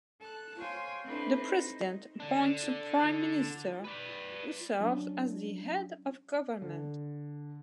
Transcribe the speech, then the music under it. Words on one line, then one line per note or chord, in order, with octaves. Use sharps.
The president appoints a Prime Minister, who serves as the head of government.
A4 A5 F#6
C5 C#5 F5 G5 G#5 C6
C4 D4 E4 A4 B4 C5
D#4
D3 D4
B4 D5
F#3 C#4 D4
D3